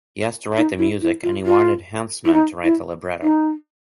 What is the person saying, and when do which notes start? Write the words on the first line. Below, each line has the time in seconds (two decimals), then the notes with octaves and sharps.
He was to write the music and he wanted Hansemann to write the libretto.
0.57 D#4
0.79 E4
1.02 E4
1.23 F4
1.46 F4
2.25 E4
2.34 D#4
2.64 E4
3.22 D#4